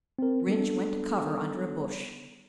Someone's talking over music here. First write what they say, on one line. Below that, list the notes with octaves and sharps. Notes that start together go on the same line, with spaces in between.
Rynch went to cover under a bush.
C4 A#4
G3 B3 D4 A4